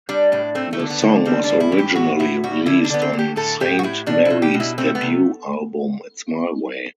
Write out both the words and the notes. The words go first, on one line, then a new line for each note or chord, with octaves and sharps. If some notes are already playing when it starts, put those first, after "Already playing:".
The song was originally released on Sainte-Marie's debut album It's My Way!
G3 D4
A2 D4
A3 C4
A3
D3
B3
D3
G3 C4
D4
A2
E4
E3
G4
A2 F#4
A2 E4
G3 F#4
D3 E4
D4
D3 B3
C4
D3
G4
A2 A4
A2 G4
F#4
A2 E4
B2 D4
B2 E4
G4
B2
E4
A3 C4
B3
C3